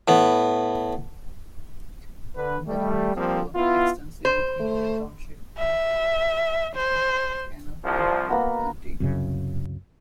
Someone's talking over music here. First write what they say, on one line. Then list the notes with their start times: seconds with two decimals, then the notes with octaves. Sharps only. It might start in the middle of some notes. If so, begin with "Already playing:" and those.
The town is coextensive with Union Township in Tippecanoe County.
0.08 A2 B3
2.36 D3 B4
2.67 G3 A3
3.16 F3 G3 A#3 C4
3.55 B3 E4 F4
4.25 C5
4.60 A3
5.59 E5
6.75 C5
7.83 C2 F3
8.29 A#3 B3 F#4
9.00 C2 F#2 C#3